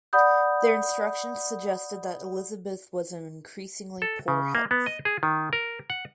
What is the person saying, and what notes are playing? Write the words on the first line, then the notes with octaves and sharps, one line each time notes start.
Their instructions suggested that Elizabeth was in increasingly poor health.
D5 F#5 B5 D#6 G6
A4
C#3
A#3
B3
D#5
G#4
D#3
A#4
F#5